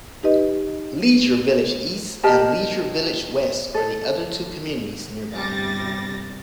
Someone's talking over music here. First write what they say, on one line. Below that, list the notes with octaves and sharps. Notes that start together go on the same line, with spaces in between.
Leisure Village East, and Leisure Village West are the other two communities nearby.
D#4 G4 B4 D#5
G4 A#4 D#5 A5
A4
G1 C3 G3 A6 A#6